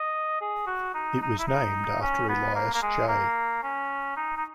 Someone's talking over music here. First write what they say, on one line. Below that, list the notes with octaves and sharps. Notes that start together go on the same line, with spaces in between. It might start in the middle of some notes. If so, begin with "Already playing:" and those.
It was named after Elias J.
Already playing: D#5
G#4
F#4
D#4
D#4
E4
D#4
C#4
B3
A#3
A#3
G#3
A#3
C#4
D#4
D#4